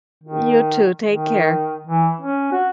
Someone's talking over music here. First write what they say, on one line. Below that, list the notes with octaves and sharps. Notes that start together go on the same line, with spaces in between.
You too. Take care.
D#3
D#3
E3
C#4
F#4